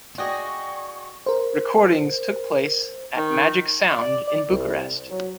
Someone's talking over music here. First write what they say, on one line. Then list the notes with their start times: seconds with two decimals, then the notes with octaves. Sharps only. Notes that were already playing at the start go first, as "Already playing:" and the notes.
Recordings took place at "Magic Sound" in Bucharest.
0.18 F#4 G#4 D5 D#5 G5 C#6
1.26 A#4 C5
3.17 D#3
3.91 D5
4.27 D5
4.49 C2
5.10 F#3